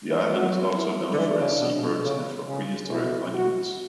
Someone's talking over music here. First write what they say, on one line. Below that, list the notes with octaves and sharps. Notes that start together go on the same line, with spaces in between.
The island is also known for its sea birds and for prehistoric monuments.
E3
F#3 F#4
E4
D3
E3 D4
C#3
B2
B2
C#3
C#3
B2 E4
F#4